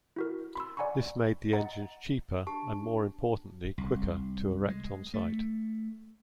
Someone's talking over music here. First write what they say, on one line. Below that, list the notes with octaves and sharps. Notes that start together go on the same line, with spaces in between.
This made the engines cheaper, and more importantly quicker, to erect on site.
E4 F#4 A#4
B5 C6 E6
D5 F#5 G#5 A#5 B5 C#6
D#5 F#5 A#5 A6
D4 G4 A5
C2
G#3
A3